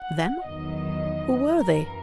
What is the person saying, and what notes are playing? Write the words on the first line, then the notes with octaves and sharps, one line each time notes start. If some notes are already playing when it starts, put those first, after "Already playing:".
"Them"? who were they?
Already playing: F#5
E2 D#3 F#3 D#5
F#2 E3 A#4